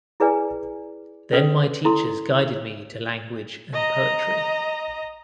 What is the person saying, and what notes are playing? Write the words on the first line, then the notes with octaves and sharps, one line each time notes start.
Then my teachers guided me to language and poetry.
E4 G#4 B4 D5 G#5
C#4 A4 B4 D5
E4 A4 C6
D#5 A#5